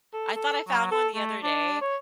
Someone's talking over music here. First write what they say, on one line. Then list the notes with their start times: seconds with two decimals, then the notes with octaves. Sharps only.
I thought I found one the other day,
0.14 A4
0.35 A4
0.68 F#3
0.92 A4
1.16 A3
1.43 D4
1.81 C#5